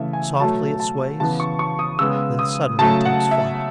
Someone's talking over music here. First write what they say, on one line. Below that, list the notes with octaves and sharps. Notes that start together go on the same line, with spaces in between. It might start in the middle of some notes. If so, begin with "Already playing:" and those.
Softly it sways, then suddenly takes flight.
Already playing: C#3 E3 A3 E5
G#5
B2 F#3 A3 A5
A5
C#3 E3 B3 A5
C#6
C#6
D#6
C#3 G#3 B3 E6
D#6
C#3 F#3 A3 A5
F#5
E5